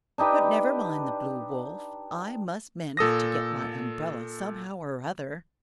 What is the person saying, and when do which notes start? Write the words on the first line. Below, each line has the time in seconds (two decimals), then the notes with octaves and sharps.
"But never mind the Blue Wolf; I must manage to get my umbrella, somehow or other."
0.18 D4 D#4 G4 B4
2.97 A#2 A4 D#6 A#6